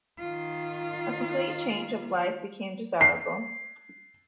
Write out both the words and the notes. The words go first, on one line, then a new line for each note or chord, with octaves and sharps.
A complete change of life became desirable.
D#3 F4
C7